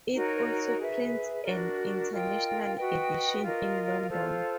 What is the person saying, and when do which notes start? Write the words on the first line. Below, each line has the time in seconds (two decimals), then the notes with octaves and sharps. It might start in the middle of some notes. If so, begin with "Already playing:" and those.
It also prints an "international edition" in London.
0.13 D#4 F#4 A#4 C#5
0.79 G#4 B4 E5
1.45 D4 F#4 A#4 D5
2.11 F4 A#4 D#5 G5
2.76 F#4 B4 D#5 G5
3.41 F4 A#4 D#5
4.08 F4 A4 C5